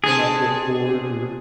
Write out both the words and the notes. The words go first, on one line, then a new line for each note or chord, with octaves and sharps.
And not get bored or
C4 D4 G#4 A4